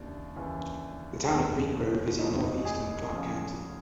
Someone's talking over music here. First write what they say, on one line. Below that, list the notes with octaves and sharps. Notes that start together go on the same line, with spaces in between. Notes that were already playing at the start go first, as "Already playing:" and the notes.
The town of Green Grove is in northeastern Clark County.
Already playing: D#2 C#3 E3 D4
D#2 C#3 E3
F1 D#2 D#3
F1 D#2 D#3 D#4
G#4
E2 C#3 F3